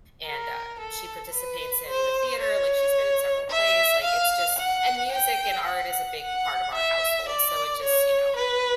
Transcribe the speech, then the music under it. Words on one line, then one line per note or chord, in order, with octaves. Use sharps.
and, uh, she participates in the theater, like she's been in several plays, like it's just and music and art is a big part of our household, so it just, you know,
A#4
A4
B4
C5
C#5
E5
F5
F#5
G5
F#5
F#5
E5
D5
C#5
B4